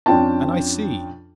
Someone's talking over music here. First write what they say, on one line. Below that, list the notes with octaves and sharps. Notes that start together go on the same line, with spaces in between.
And I see.
F2 C#4 D4 F4 G5 A5